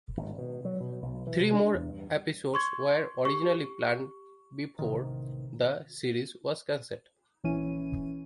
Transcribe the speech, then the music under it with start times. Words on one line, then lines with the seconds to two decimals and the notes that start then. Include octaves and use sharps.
Three more episodes were originally planned before the series was canceled.
0.17 G#1
0.38 B2
0.65 F#3
0.80 B2
1.02 B1
1.27 E3
1.39 C3
1.53 D4
1.74 E2
1.89 G2
2.54 C6 C#6 G#6
3.25 G4 C#6
4.79 A1 C3 D#3
7.44 A#1 E3 C#4 E4 D#7